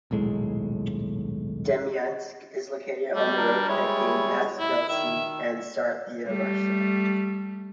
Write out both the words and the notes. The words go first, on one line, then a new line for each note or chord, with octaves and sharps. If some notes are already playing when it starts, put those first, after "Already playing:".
Demyansk is located on the road connecting Yazhelbitsy and Staraya Russa.
D#1 B1 A2 G#3
G3 A3
D4 A#4
G3 G#3 E4 C#5
A2 E4
D#3 E5
G3 A3